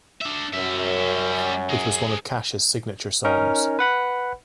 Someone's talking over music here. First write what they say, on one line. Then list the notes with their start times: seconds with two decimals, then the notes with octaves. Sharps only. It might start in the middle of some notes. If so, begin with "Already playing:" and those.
It was one of Cash's signature songs.
0.21 D4 E5
0.53 F#2 G3 E5
1.69 G#4 A#4
3.25 C#4 D#4 A#4
3.79 B4 F#5 B5